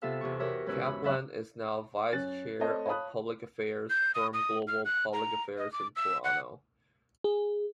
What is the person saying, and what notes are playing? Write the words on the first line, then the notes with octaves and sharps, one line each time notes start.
Caplan is now Vice-Chair of public affairs firm Global Public Affairs in Toronto.
C3 B3 F4 A4 E5 F5
E2 C3 G4 C#6
F#4 G4 A#4 C#5 E5
E2 G#2 C#4 B4 C#5 E6
B5
F#2 C4 D#5 E5 B5 F#6
F#2 C#4 F#6 A6
A3 C4 C5 C#5 D#5 A5
C#5 F5 A5 B5 D#6 F#6
G6
D#6
D#6
F6
F#6
A#5
D#5
D6
E6
F#5
G#4